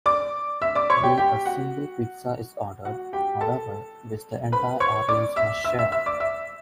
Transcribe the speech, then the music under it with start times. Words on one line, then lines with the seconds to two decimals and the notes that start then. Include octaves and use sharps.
Only a single pizza is ordered, however, which the entire audience must share.
0.06 D5 D6
0.62 E5 E6
0.75 D5 D6
0.90 C#5 C#6
1.03 G4 G5
1.18 G4 G5
1.46 F#4 F#5
2.85 F#4 F#5
3.13 G4 G5
3.41 A4 A5
4.52 B4 B5
4.80 C#5 C#6
5.09 D5 D6
5.36 E5 E6
5.64 E5 E6
5.79 E5 E6
5.92 E5 E6
6.06 D5 D6
6.20 E5 E6